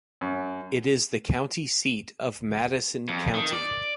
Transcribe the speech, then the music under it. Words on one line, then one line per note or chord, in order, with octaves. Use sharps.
It is the county seat of Madison County.
F#2
F2
D#3
D5